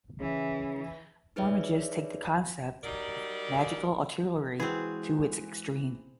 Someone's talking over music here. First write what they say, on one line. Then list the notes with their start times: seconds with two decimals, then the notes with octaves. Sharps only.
Warmages take the concept of "magical artillery" to its extreme.
0.20 C#3 E3
1.36 D#4 G#4 B4 C#5 D5 E5
2.84 F#3 G3 D#4 A#4 D5
4.60 E3 G#3 C4 F#4 G#4 B4